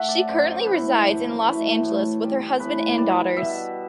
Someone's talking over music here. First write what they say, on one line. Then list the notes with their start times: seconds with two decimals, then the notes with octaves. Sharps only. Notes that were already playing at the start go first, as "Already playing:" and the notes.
She currently resides in Los Angeles with her husband and daughters.
Already playing: A3 E5 F#5
0.09 D5
0.29 F#2 C5
0.66 E3 A3 B4
1.06 F#2
1.43 E3 A3
1.83 A2
2.21 G3
2.59 A2 B4
2.98 G3 D5
3.37 B2 E5